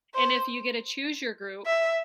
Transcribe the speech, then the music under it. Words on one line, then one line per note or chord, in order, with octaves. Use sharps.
and if you get to choose your group,
C5
E5